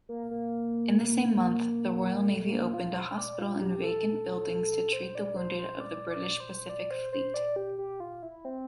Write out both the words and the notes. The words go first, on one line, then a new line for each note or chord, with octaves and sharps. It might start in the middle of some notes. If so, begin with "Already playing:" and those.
In the same month, the Royal Navy opened a hospital in vacant buildings to treat the wounded of the British Pacific Fleet.
A#3
A#3
A3
A3
A#3
F4
C5
D5
F4
G4
A4
C5
D5
C5
C5
D5
D5
C5
D5
C5
C5
D5
G4
G4
F4
E4
C4